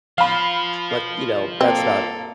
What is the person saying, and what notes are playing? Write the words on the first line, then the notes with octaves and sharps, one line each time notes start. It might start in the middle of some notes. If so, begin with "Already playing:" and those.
but, you know, that's not
F3 F4 F5 B5
A#3 C4 A4